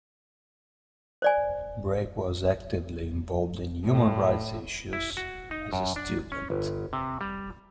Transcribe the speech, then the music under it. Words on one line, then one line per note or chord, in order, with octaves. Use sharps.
Brake was actively involved in human rights issues as a student.
C5 D5 G#5
A2
E4
F#4
D#4
F#2
D4
C#4
G1
C3
G3